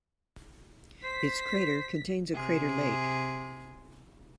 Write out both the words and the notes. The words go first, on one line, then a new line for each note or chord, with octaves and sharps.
Its crater contains a crater lake.
C5 B6
C3 G#4